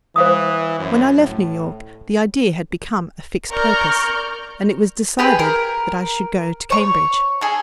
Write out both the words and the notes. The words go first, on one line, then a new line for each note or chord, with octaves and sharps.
When I left New York the idea had become a fixed purpose; and it was decided that I should go to Cambridge.
E3 C5 F5 D#6
F#2
A2
A#4 D5 A#5 C#6 F6 G6
G4 G#4 B4
A#4
C#5 C#6
G#4 A4